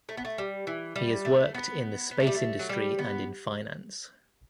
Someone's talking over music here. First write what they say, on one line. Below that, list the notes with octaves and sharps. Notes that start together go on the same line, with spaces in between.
He has worked in the space industry and in finance.
A3
B3
A3
G3
E3
G3
A3
B3
B3
A3
G3
A3
F#3
G3
B3